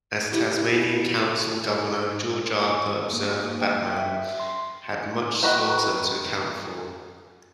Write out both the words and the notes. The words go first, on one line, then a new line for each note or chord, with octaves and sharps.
As Tasmanian Colonial Governor, George Arthur, observed, Batman "...had much slaughter to account for".
E4 G4
A#3
F#4
G5
E5
C6
D#3 F#4 B4 D#5